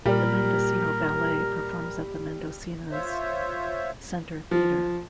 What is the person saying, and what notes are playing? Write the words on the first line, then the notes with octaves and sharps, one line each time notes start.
The Mendocino Ballet performs at the Mendocino's center theater.
A#2 G3 G4 A#4
F4 C5 C#5 E5
F3